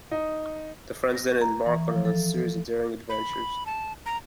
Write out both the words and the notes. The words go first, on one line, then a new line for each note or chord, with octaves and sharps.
The friends then embark on a series of daring adventures.
D#4
A#6
A#5
E3
F3
A4
A4
B5
A5
A#5